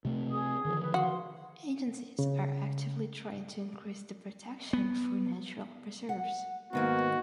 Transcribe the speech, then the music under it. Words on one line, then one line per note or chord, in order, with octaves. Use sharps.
Agencies are actively trying to increase the protection for natural preserves.
C3 A3 C4
G#4 D#6
D3 D#3 F3
B4
F#4 F5 C6
C#3
B3
F#5
G#2 D#3 A#3 B3 F#4